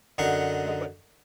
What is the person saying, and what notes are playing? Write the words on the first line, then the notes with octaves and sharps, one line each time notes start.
No. But
F#2 D3 D#4 F#5 C#6